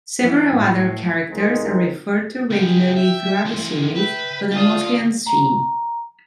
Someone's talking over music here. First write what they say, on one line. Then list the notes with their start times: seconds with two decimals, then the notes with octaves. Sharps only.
Several other characters are referred to regularly throughout the series, but are mostly unseen.
0.22 E3
0.56 A2
1.30 C2 D#3 G#3 A#3 C4
2.50 F#2 C#3 G5
2.97 E5
3.45 E3 C4
3.96 B4 E5 G5
4.52 D4 F4 D#6
5.26 A#5